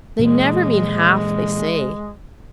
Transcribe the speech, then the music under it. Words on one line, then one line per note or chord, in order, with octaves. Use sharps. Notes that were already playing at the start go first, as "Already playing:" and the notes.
They never mean half they say.
A#2 E3 G#3 A#3